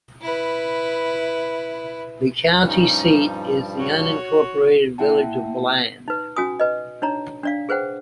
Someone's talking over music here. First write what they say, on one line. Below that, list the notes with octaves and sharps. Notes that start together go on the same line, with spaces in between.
The county seat is the unincorporated village of Bland.
E4 B4
G2 F3 G3 C#4 D#4
F#4 C#5
A#3 E4 E5 F#5 G5 A5
D#4 B4
C#4 F#4 G#5 D#6
B4 D#5
D4 D#4 C#5 A#5
D4 D5 F5
G#4 B4 C5 F#5 G5